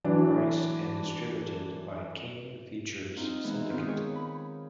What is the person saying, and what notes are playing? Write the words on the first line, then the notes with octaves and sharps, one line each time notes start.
Price and distributed by King Features Syndicate.
E3 F#3 D4
C4 D#4 F4
E3 G#3 B3
D#3 B3 C4 F4 C5 G6
G#4 C#5 G5
B5